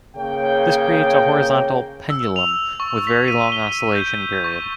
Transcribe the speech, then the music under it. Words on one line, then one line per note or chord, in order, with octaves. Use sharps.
This creates a horizontal "pendulum" with very long oscillation period.
C#3 A#3 C#5 G5
E6
F7
C#6
B6
D#7
G7
G6
C#6